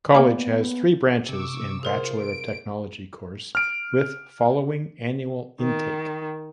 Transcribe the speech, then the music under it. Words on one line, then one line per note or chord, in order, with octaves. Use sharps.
College has three branches in Bachelor of Technology course with following annual intake.
A#3 B3 D5
C3 C#6 D6 E6
F4 G#4 A#4 C5 C6
D7
F6 D7
D#3